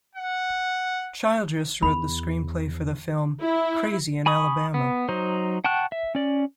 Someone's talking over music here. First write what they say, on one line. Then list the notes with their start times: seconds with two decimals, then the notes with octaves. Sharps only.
Childress wrote the screenplay for the film "Crazy in Alabama".
0.15 F#5
1.83 E2 B5
3.41 E4
4.26 G#5 B5 C#6 D#6
4.74 B3
5.09 F#3 D#4 C5
5.64 F#5 G5 A5 C#6 F#6
5.92 E5
6.15 C#4 D5